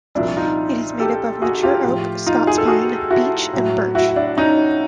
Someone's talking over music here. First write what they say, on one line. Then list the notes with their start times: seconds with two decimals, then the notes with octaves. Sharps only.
It is made up of mature oak, Scots pine, beech and birch.
0.15 C2 A#2 F3 D4 E4
0.37 D#4 F4
1.00 G4 A4
1.42 F#4 G#4
1.63 F4 G4
1.84 A2 F3
2.27 D#4 F4
2.47 G#4
2.58 A4
2.68 F#4 G#4
3.10 E4 F#4
3.53 A2 F#3
3.95 E4 F#4
4.16 D4 E4
4.37 C#4 D#4